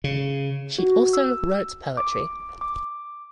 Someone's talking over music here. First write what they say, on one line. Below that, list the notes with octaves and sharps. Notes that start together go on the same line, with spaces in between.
She also wrote poetry.
C#3
F#4
E6
D6
D6